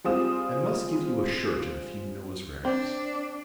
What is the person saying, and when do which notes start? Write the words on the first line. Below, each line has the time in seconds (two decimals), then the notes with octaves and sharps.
I must give you a shirt and a few noserags.
0.04 G3 G#3 C4 F4 D#6 E7
2.65 C4 D4